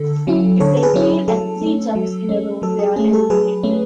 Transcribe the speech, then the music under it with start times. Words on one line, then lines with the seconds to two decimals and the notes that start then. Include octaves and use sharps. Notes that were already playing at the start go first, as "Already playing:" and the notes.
If they fail at three jumps in a row, they are eliminated.
Already playing: D3 A4
0.27 F#3 C#4 E4
0.60 D3 A4 C#5
0.77 A4
0.83 G#4 B4
0.94 F#3 C#4 E4
1.28 F#3 A4
1.61 A3
1.66 C#4
1.95 F#3
2.29 A3 C#4
2.62 F#3 A4
2.79 G#4
2.96 A3 C#4 G#4
3.13 A4
3.30 F#3 G#4 B4
3.63 A3 C#4